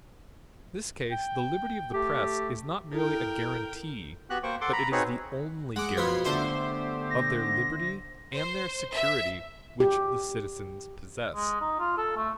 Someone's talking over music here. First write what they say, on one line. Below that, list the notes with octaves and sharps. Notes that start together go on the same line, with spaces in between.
In this case the liberty of the press is not merely a guarantee, but it is the only guarantee, of their liberty and their security which the citizens possess.
G5
A3 G4
E4 A4 A#4 G5
B3 F#4 G4 F#6
A#3 C5 G5 C#6
A4 F#5 C6 D6
A#5 B5
C4 D#4 F#4 G#4 B4 C#5
G#3 F#5 D6
F2 B2 B3 B5 C6 G#6
D3 A3 B3 G4 C5 E5 C6
A#6
C5
E5
G4
G#3
D#4
F4
A4
A3